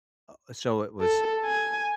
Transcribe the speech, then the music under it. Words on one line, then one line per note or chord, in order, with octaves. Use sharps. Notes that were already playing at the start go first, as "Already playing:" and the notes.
Uh, so it was
A4
G#5